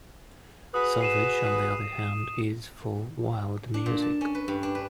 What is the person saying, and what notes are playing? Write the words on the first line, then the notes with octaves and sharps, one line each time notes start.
Savage, on the other hand, is for "wild" music.
F#4 G#4 B4 D#6
C7 D#7 E7
D4
A#2
A5
C#4
B4
G2
D4
B4